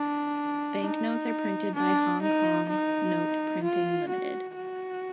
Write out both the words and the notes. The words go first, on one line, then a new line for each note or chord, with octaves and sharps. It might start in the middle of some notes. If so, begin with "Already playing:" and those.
Banknotes are printed by Hong Kong Note Printing Limited.
Already playing: D4
D#4
D4
D#4
D#4
F4
F#4
F#4